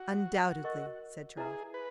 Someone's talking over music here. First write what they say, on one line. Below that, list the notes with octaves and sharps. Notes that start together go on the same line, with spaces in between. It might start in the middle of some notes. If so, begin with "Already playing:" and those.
"Undoubtedly," said Charles.
Already playing: F#4
A#4 D#5 F#5 C#6
E4 G#4 B4 E5 A#5
B4